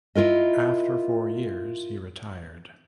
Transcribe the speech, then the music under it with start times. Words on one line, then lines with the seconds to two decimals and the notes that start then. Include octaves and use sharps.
After four years, he retired.
0.15 E4 F4 A#4 D#5